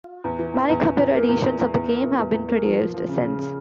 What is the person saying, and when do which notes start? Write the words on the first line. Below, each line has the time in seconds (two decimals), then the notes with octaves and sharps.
Many computer editions of the game have been produced since.
0.24 E2
0.39 E3
0.54 E2
0.69 E2
0.84 E2
0.99 E2
1.14 A#3
1.29 E2
1.44 E2
1.59 E2
1.74 E2
1.89 A#3
2.04 E2
2.19 E2
2.34 E2
2.48 A#3
2.64 F3
2.78 F3
2.94 F3
3.08 C#3
3.24 C#3
3.38 C#3